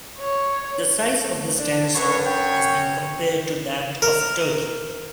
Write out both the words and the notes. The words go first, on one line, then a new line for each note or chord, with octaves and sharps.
The size of this dinosaur has been compared to that of a turkey.
C#5
A3
D4
F#2 B4 C#5
G5
A#4